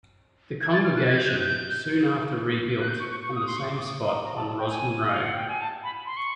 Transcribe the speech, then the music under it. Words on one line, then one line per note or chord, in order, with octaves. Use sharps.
The congregation, soon after rebuilt, on the same spot on Rosman Road.
G#6
A6
F6
F#6
G#6
G6
F#6
G6
F#6
G6
C#6
C#6
C#6
D#6
C6
C#6
D6
D#6
A#5
A5
A5
G5
G#5
F5
F#5
G5
G#5
A5
B5
C6
C#6